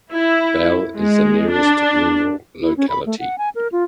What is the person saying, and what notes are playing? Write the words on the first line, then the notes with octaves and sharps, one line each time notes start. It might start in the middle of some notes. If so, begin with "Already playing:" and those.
Val is the nearest rural locality.
E4
G#3
D4
E4
C#4
B5
A3
F#5
G#5
A#4
F4